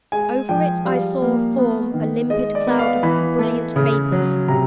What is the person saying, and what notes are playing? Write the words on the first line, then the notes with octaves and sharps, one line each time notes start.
Over it I saw form a limpid cloud of the brilliant vapors.
G#3 G#5
F3 G5
G3 F5
A#3
B3
D#3
G#3 D#5
D5
B3
F5
E3 B5
A3
C#3
F#3
C3 A#5